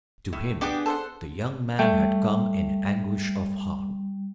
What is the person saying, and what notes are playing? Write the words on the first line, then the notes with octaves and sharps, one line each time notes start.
To him the young man had come in anguish of heart.
A2
B3 D4 G4 G#4 D5 D6
A4 C5 F#5
G3 A3 G5